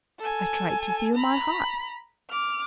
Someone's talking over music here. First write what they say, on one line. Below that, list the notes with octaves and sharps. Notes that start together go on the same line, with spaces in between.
I tried to feel my heart.
A4 G#5
A#5 B5
D6 F6